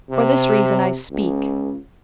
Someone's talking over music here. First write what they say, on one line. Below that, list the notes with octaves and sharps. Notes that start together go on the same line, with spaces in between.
For this reason I speak.
C3
C#2